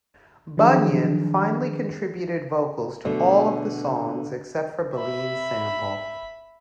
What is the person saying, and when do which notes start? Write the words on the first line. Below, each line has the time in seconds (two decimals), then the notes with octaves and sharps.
Bunyan finally contributed vocals to all of the songs except for "Baleen Sample".
0.57 D#3 F3 F#3 D4 G#4
3.05 B2 D3 A3
4.95 E5 B5